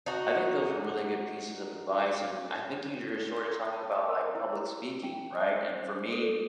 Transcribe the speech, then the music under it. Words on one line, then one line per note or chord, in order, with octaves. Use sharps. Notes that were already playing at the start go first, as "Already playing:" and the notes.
I think those are really good pieces of advice, and I think you're sort of talking about, like, public speaking right? And for me
D#4 F#4
A5
A#4
E4
G5
C5
A4